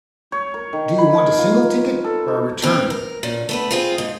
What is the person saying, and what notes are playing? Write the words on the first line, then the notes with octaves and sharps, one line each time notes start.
Do you want a single ticket, or a return?
C#5
A#4
D#3
B5
A#4
F4
F4
A4
D#4
E3 C4
A#4
A#2 C#4
A3 B3 B4
C4 F4 G#4
G#2